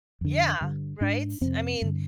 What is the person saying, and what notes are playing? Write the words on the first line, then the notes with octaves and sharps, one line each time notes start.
Yeah. Right? I mean,
F2 D3
G2 D3
G#2 D4
F2 C3 C4
G2 D3